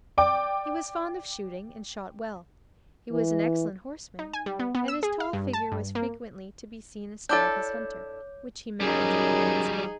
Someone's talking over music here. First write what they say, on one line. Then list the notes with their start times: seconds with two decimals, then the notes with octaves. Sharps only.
He was fond of shooting and shot well; he was an excellent horseman and his tall figure was frequently to be seen astride his hunter, which he managed with great skill.
0.18 D5 G5 D6
3.12 E3
4.19 D#4
4.33 G#5
4.46 G3
4.59 B3
4.75 B3
4.88 E6
5.03 G#4
5.20 F5
5.33 G2
5.53 A5
5.72 G2
5.95 A#3
7.29 D4 E4 A4 C#5 D6 G6
8.81 F#2 F#3 G3 D#4 G#4